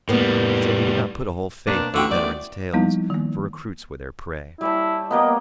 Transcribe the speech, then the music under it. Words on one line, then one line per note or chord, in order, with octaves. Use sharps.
Still, he could not put a whole faith in veteran's tales, for recruits were their prey.
A2 G3 A#3 B3
B2 A#3 C4 D4
A1 D3 F4 F#4 G5
A3 B3 C4 D5
F3 G3 A#3 B3 D#4 E4
D#3 A#3
G3 E4 C#5 A5
G3 A#3 B3 D#5